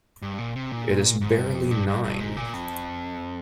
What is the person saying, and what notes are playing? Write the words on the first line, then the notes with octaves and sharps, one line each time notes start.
It is barely nine.
G2
A#2
C3
A#2
G#2
G2
F2
G2
G2
G2
G#2
A#2
F2